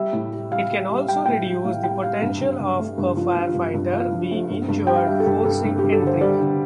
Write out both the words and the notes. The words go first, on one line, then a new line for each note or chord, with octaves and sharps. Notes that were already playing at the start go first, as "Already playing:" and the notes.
It can also reduce the potential of a firefighter being injured forcing entry.
Already playing: G3 E5
A2
G3
G3 F5
G3
G3
G3 G5
A2 G5
G3
A2 F5
G3 G5
G3 F5
G2
G2
G2
A3
G2
F3
F3 F5
G2
G2
F3 F5
F3
A3
G2
G2
G3 G5
F5
G3 E5
A4
G2 G4
G2 A4
G2
G2 G4
A4
D3 C5
G3 D5
D3